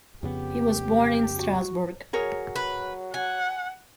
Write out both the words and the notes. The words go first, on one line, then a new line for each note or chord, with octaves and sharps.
He was born in Strasbourg.
F2 C#3 B3 G4
F#4
F#3 G#4 A#4 C#5
B4
F#5 G#5